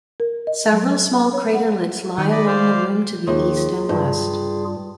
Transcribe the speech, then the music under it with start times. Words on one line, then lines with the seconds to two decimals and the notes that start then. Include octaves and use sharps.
Several small craterlets lie along the rim to the east and west.
0.20 A#4
0.47 D#5
0.73 F#3
1.17 F#5
1.33 C#5
1.55 F#5
2.18 D#3 G5 C#6 D#6
2.30 D5 D#5 B5
2.46 C5 D5 F5
3.27 D#2 F4 G#4
3.89 G2